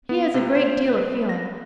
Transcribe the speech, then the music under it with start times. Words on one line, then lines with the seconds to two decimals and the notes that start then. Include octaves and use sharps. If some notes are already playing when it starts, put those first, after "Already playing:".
He has a great deal of feeling.
0.09 B3
0.34 C3
0.55 C5
0.90 B4
1.29 A#6